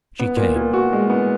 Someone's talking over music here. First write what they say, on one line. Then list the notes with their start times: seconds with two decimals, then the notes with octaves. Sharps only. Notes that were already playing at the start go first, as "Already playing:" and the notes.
She came.
0.19 B3
0.37 A#2
0.56 A#2
0.73 F#4
0.93 G#3
1.10 B3